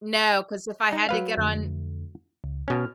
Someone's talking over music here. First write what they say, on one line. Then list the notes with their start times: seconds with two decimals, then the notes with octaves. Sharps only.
No, 'cause if I had to get on
0.92 D#4
1.09 F#3 B4 F5
1.37 F2 D3 A3
2.44 C#2
2.68 B2 C#4 F6